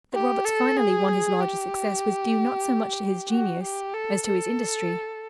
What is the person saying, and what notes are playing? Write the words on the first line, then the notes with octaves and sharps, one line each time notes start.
That Roberts finally won his larger success was due not so much to his genius as to his industry.
G4
A4
G#4
G4
F#4
G4
A4
A4